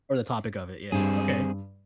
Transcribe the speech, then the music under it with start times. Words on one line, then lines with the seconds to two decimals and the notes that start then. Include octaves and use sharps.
or the topic of it, yeah, okay.
0.92 G2 G3 C4 G#4